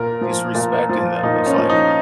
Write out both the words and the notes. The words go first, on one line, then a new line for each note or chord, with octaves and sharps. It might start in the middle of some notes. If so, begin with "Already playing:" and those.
disrespect in them, it's like,
Already playing: A#2 A#4
F3
A#2
F3
A#2 D#4
C#4
F3
D#4